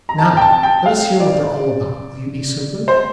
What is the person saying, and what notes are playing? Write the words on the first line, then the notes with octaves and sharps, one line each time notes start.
Now let us hear what they're all about; will you be so good?'
A#5
A5
G5
A5
G5
F5
D5
C5